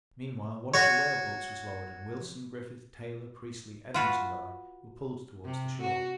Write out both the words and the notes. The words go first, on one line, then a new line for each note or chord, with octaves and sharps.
Meanwhile, one of the whale boats was lowered and Wilson, Griffith Taylor, Priestley, Evans, and I were pulled towards the shore.
F#4 C#5
F4 F#4 B4
C3
F#4